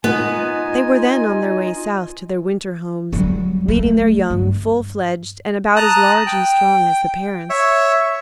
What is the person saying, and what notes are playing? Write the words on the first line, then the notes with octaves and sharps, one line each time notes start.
They were then on their way south to their winter homes, leading their young full-fledged and about as large and strong as the parents.
B3 D#4 F4 G#5
F#3 G3
A3
G2
A5 A#5 D#6 F#6
G5
C#5 E5